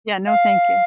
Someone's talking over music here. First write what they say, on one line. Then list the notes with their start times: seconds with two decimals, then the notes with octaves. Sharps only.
Yeah, no, thank you.
0.28 F5